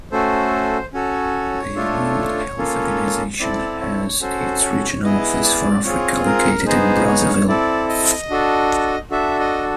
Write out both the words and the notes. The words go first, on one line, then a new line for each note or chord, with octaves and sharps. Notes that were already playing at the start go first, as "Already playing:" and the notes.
The World Health Organization has its regional office for Africa located in Brazzaville.
A3 C#4 F#4 A4 C5
C#4 F#4 A4 C#5
A3 D4 F4 A4
A#3 C#4 F4 A4
C4 E4 A4 D5
C#5
C#4 F#4 A4 C5
C#5
B3 E4 G#4 D#5
D5
C4 F4 G#4 C#5
A#4
B3 D#4 G#4 C5
C#5
C4 E4 A4 D5
D#5
D4 F#4 A4
D4 F#4 A4 E5
D#5